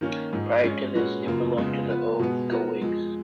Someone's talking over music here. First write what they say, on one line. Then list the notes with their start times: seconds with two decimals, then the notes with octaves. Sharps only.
Prior to this, it belonged to the O'Cowigs.
0.01 D#3 A#3 C#4
0.33 G#2 F3 G#3
0.64 F3 G#3 C#4
0.95 A#2 G#3 C#4 F#4 B4
1.26 F#2 C#3 F3 A#3 F4
1.57 F2 C#3 G#3 B3 F4
1.89 F3 B3 F4 B4
2.19 B2 G#3 B3
2.51 F3 B3 F#4 A#4
2.82 F2 F3 G#3